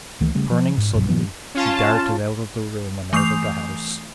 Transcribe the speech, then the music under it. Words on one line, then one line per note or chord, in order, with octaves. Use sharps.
And turning suddenly, he darted out of the room and out of the house.
C#2 D#3 E3 A3
C#3 G3 A3
F3
G#2
C2 G2 B2 F#3
A#2 D#3 F3 B3
C#4 F4 A5
E3 A3 D#6 G6 C7 F7